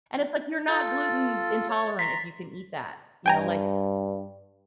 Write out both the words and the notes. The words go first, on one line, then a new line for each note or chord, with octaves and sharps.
and it's like, "You're not gluten intolerant if you can eat that, you know?" Like,
F4 A4 A6
C#5
A#5 C6 B6
G2 G5 G#5 A#5